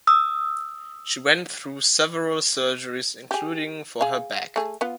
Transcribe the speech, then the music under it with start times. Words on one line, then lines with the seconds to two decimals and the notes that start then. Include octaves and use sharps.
She went through several surgeries, including for her back.
0.07 D#6 E6
3.31 G4 G#4
4.01 G#4 F5
4.56 A3 G#4
4.81 B3 F4